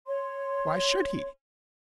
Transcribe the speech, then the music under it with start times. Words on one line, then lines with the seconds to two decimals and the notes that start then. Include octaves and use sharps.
Why should he?
0.07 C#5 C6